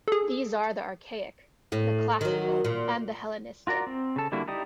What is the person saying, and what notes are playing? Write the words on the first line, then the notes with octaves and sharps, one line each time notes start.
These are the Archaic, the Classical and the Hellenistic.
G#4 A4
A2
D#3 F#3
A#2
F4 F#4 A#4 D5 A#5
C4
C#3 A4
D3 G3 A#3 E4 F#4
D#4 E4 G4 D5 D#6